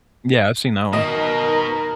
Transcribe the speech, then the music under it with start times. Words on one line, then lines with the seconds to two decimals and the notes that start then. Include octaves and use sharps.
Yeah, I've seen that one.
0.93 B2 D#3 A#4 D#5